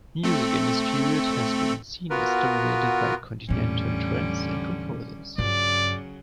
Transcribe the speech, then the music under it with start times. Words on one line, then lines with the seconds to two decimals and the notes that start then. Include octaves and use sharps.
Music in this period has been seen as dominated by continental trends and composers.
0.24 A3 C4 A4
2.10 B3 F4 F#4 A#4 B4
3.49 E2 A2 D3 G3 C#4
5.38 G2 C#3 F#3 F4 D5